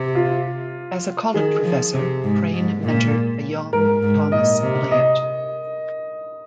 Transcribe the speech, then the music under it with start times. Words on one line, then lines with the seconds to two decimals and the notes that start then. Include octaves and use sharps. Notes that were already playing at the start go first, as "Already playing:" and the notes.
As a college professor, Crane mentored a young Thomas Elliot.
Already playing: C3
0.15 F4
1.34 D#3 G#4
1.64 F3
1.94 C3
2.24 G#2
2.54 G#2
2.83 A#2
3.73 G#2 A#4
4.02 G#2
4.32 A#2 D#5
4.61 C3
4.91 D#5